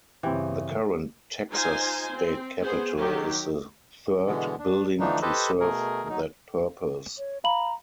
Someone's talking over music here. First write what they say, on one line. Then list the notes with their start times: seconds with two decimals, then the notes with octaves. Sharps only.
The current Texas State Capitol is the third building to serve that purpose.
0.23 G2 C#3 E3 C4 G4 G5
1.51 D#4 F4 C5 G#5
2.14 C4
2.60 B3 G#4 C5
2.96 D#3 F#3 G4
4.26 B2 D3 E3 G#3 B3
4.59 D4
4.99 D3 E3 F3 A3 D4 D#4
5.22 G4 A4 B4 C5 D#5
5.60 B2 A3 G#4 A#4
6.09 F#3 D#4
7.18 C#5
7.44 F5 A#5 B5 F#7